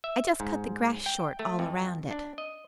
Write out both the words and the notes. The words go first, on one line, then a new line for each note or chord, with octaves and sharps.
I just cut the grass short all around it.
E5
G#2
G5
A3
F2
D4
D#5